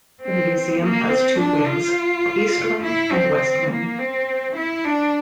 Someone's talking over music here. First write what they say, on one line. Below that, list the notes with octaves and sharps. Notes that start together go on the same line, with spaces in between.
The museum has two wings: east wing and west wing.
C4
A#3
C4
D4
F4
E4
C4
A#3
C4
E4
D4